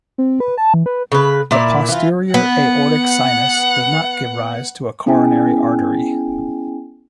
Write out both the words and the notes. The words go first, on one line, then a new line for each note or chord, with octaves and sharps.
The posterior aortic sinus does not give rise to a coronary artery.
C4
B4
A5
E3
B4
C#3 B4
A#2 E4 D5
E3 F4
B3 F#5
B3 C#4 E4 G#4 G5 G#5